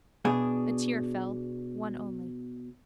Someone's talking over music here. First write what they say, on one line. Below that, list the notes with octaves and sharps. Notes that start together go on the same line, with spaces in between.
A tear fell: one only.
B2 D4 G#4